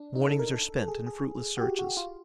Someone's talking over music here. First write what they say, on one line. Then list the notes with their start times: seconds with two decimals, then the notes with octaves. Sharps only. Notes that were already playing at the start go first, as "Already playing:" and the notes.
Mornings are spent in fruitless searches.
Already playing: D4
0.15 D#4
0.28 A4
0.39 A#4
0.52 A4
0.79 A4
0.88 G#4
1.06 G#4
1.57 F#4
1.61 G4
1.79 F#4
1.97 F4